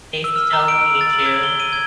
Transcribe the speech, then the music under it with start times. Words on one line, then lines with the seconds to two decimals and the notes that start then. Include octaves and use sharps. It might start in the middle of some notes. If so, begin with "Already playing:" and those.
They still need you.
0.24 E6
0.36 F6
0.53 A#5
0.68 D7
0.81 E6
1.01 A6
1.13 F#7
1.26 G#6
1.43 G7
1.60 D#7
1.73 G#6